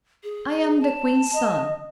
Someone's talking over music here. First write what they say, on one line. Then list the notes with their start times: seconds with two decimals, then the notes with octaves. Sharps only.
I'm the Queen's son.
0.24 G#4
0.81 A5
1.34 D#5